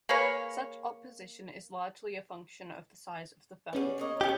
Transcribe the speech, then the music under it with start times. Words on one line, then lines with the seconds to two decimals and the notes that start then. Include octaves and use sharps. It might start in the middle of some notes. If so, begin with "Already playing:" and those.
Such opposition is largely a function of the size of the firm.
0.09 A#3 G#4 B4 C#5
3.73 G3 B3 C#4 F#4 G#4
3.98 A#3 C#5 D#5
4.21 A3 B3 C#4 E4 G4